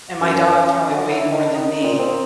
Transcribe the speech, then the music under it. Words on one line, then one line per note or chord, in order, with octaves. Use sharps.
and my dog probably weighed more than me,
F#2
C#4
F#3
E4
D#3
D#4
A#2
C4